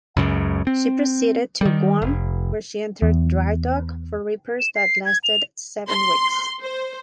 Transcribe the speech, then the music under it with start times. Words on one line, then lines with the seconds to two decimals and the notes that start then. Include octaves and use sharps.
She proceeded to Guam, where she entered drydock for repairs that lasted seven weeks.
0.17 C#2 F#2 C#3
0.67 C4
1.61 D#3 G3
2.02 F1
3.02 E2
4.60 E7
4.76 C7
5.05 G#6
5.24 F7
5.87 C6
6.60 C5